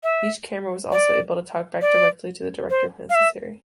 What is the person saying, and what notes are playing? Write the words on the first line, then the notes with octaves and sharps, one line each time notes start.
Each camera was also able to talkback directly to the director if necessary.
E5
D5
D5
C5
F5
E5